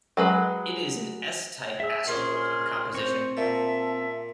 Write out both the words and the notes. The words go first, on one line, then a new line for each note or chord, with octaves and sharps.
It is an S-type asteroid in composition.
F#3 G#3 B4
G#4 E5 E6
A#1 C#4 G#4 C6 F6
C4 C5 C#6
A#2 E5 A5